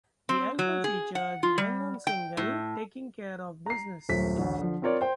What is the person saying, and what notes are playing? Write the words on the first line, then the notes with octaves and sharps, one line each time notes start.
The album features the well-known single Takin' Care of Business.
C4
F#3
G#4
F#5
F4
G3
G5
A2
A#5 C7
D#1 F#2 A3 C5 B6
A1 D2
D3 F3
C4 F4 A#4 C#5 D5
C5 G5 C6